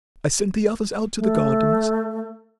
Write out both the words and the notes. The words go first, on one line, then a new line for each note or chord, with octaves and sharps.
I sent the others out to the gardens.
A3